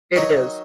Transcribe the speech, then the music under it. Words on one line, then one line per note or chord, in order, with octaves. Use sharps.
It is.
D#3 F#3 D#4 F#4 C#5